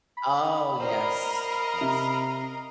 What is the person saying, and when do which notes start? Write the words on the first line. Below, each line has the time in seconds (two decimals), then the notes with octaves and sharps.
Oh, yes, yes.
0.17 B5
0.80 A#4 C5 D5 D#5 F5 A#5
1.81 C3